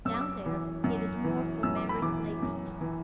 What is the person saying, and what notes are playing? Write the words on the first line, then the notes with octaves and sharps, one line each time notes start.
Down there it is more for married ladies.
F#2 E6
D6
E6
E3
F#2
E3
F#2 E6
D6
B5
E3 D6
F#2
E3